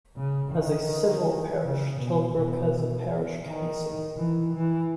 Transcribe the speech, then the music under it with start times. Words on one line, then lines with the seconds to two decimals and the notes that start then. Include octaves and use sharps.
As a civil parish, Tilbrook has a parish council.
0.16 C#3
0.53 D#3
1.63 C#3
1.98 B2
2.35 B2
3.44 D#3
4.17 E3
4.53 E3